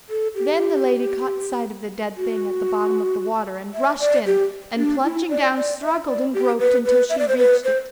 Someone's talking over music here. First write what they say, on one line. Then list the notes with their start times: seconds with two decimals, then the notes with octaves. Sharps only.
Then the lady caught sight of the dead thing at the bottom of the water, and rushed in, and, plunging down, struggled and groped until she reached it.
0.09 A4
0.35 G4
2.17 F#4
3.74 E5
4.00 D5
4.26 G4
4.78 D4
5.04 E4
5.30 D5
5.56 D5
5.82 E5
6.08 D5
6.34 G4
6.60 B4
6.86 B4
7.10 E5
7.19 D5
7.28 C5
7.38 B4
7.64 C5